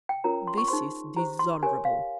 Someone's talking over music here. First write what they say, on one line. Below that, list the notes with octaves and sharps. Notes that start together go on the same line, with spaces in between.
This is dishonourable!
G5
C#4 F4 A#4 C#5 A#5
C6
C#6
D#4 G#4 C5 C6
G4 C5 A#5
C6
G4 A#4 C#5 G#5
F5